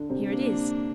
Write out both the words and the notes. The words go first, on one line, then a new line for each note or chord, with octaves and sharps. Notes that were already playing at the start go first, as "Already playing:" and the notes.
"Here it is."
Already playing: D3 D4
C3 C4
A#3 D4